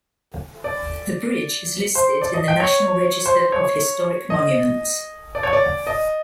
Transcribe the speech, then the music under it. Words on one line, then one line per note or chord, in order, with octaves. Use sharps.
The bridge is listed in the National Register of Historic Monuments.
D5
C5
D5
D#5
G5
C#5
C5
C#5
D#5
D5
C#5
D5
D#5